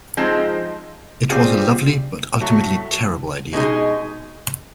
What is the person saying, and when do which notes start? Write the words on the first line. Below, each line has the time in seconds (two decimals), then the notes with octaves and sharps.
It was a lovely but ultimately terrible idea.
0.17 F3 G#3 C4 D#4
1.30 G3 C4 F4 G#4
2.41 A2 F#3 A3
3.53 B2 G#3 C4 D#4 G#4